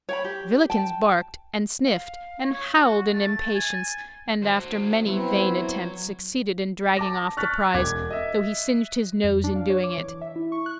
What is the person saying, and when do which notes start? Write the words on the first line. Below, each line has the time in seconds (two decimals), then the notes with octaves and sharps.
Villikins barked, and sniffed, and howled in impatience, and after many vain attempts succeeded in dragging off the prize, though he singed his nose in doing it.
0.09 C#5 G5 B5
0.24 G4
0.70 G5 A5
1.86 F5
2.44 C#5
2.76 F#4
3.13 A3 A6
3.54 G#5
4.42 F#4 C5
5.06 F#3 B3 C4 E4
6.97 A5 D6 A#6
7.37 C#6 F6 F#6 A6 B6
7.74 E1 D6 G#6
8.10 D#5 E5
9.24 F2
9.44 D4
9.56 F5
9.70 C#5
9.84 D6
9.98 E3
10.21 E5
10.36 E4
10.52 C#6
10.66 F#6